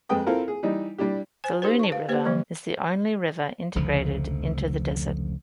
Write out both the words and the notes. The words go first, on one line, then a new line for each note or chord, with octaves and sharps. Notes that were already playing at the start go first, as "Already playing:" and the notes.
The Luni River is the only river integrated into the desert.
F2 G#3 B4 G5 D#6
C4 E4 F4 A4 A#4
G#4
E3 G3 D#4
G3 D4 E4 G4
C5 G#5
D#4 F#4 G4 A#4 C5
A5 C#6
B4 F5
A#3 G4 B4 C5
D3 E3 F3 G3 A#3
F1 C#2 D3 F3